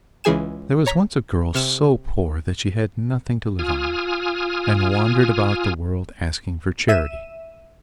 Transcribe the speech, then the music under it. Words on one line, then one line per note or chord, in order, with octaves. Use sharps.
There was once a girl so poor that she had nothing to live on, and wandered about the world asking for charity.
C#2 C#3 E3 G#4 G#5 E7
C#5 A#5 B6
C3 F6 E7
F4 G#5 D#6 F6
E5 D#7 E7